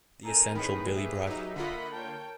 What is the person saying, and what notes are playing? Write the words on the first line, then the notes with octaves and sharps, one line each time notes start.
The Essential Billy Bragg.
C4 D#4 A4 A#4 G#5 A#5
A2 D#3 G#4 B4 B5
G4 E5
F#3 D#4
D3 A#3 F4 D#5 F#5 B5
A#4 C#5 G5 A5